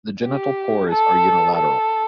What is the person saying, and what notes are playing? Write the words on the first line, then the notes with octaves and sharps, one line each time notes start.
The genital pores are unilateral.
G4
A4
A4